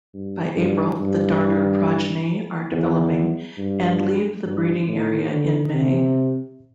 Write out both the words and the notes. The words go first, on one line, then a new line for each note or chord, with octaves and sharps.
By April, the darter progeny are developing, and leave the breeding area in May.
G2
G2
G2
E2
G2
G2
A2
D3
C3